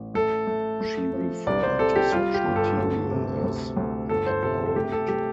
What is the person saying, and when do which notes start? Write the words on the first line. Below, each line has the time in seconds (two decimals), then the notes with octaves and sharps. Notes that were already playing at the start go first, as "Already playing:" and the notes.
She referred to such material as "abhorrent".
Already playing: A1
0.14 A3 A4
0.47 A3
0.81 A3
1.13 F3
1.47 C2 D5
1.63 C5
1.79 C3 A4
1.96 G4
2.12 G3 F4
2.34 G4
2.46 G1
2.56 A4
2.78 D2
3.11 C3
3.43 D2
3.77 D2
4.09 G1 A4
4.26 C5
4.43 C3 A4
4.66 A4
4.76 A3 G4
4.92 A4
5.08 A3 G4